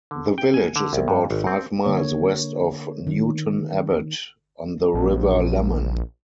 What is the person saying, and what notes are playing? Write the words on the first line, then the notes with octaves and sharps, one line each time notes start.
The village is about five miles west of Newton Abbot, on the River Lemon.
D3
G5
G#5
D3
C2
G2
G#1
C4
D3 A#3 C#5
D#3
A#1